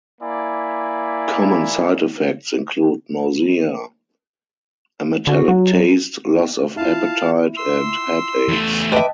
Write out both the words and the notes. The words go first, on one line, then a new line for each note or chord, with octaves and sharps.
Common side effects include nausea, a metallic taste, loss of appetite, and headaches.
A#3 E4 D5 G#5 B5
D3 F#4
F#3 F#4
E4 F4 F5 A5
C6 E6
E2 A3
B4 D#5 E5 G5 A5 D6